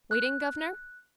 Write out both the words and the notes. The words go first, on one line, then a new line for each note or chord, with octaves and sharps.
Waiting, guvnor?
F#6